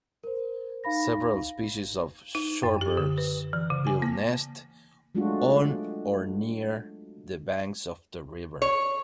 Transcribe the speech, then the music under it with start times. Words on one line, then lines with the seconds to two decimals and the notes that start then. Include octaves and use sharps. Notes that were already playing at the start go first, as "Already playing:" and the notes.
Several species of shorebirds build nest on or near the banks of the river.
0.24 A#4 C5
0.84 D#4 F5 B5 A#6
2.35 D#4
2.63 F#2
2.81 G4
2.97 D3
3.18 B4
3.53 E3
3.70 C#3
3.87 G#5
4.02 A#3
5.15 F#3 G#3 A3 D4 F4 F#4
8.62 C#5